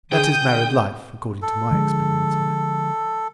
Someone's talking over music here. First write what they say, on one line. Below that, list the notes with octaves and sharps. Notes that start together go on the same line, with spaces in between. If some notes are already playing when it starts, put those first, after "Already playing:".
That is married life, according to my experience of it.
D3 G#4 G5 D#6 G6
A4
D3 F3 G#3